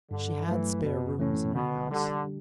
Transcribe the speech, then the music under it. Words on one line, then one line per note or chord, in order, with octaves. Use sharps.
She had spare rooms in her house.
G2 D3
E3 F#3 A3
F#2 B2
A2 E3 A3 C#4
B2 D3
D3 G3 D4 G4